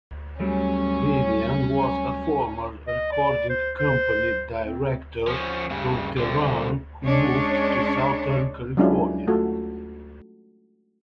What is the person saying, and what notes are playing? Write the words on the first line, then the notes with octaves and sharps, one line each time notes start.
Bibiyan was a former recording company director from Tehran who moved to Southern California.
F#3 G3 A3 C#4
D#5
D5
C5
C5
C4
F3 C#4
G2 C#3
C2 D3
G#3 C#4 D4 C#5
F#3 G#3 C#4 D4 E4 F4
A3 F4 F#4 A4